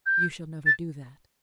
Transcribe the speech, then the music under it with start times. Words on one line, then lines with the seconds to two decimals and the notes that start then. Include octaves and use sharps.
"You shall never do that."
0.06 G6
0.66 A6